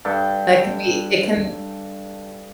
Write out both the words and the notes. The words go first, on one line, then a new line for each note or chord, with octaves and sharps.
That can it can
G2 A4 G5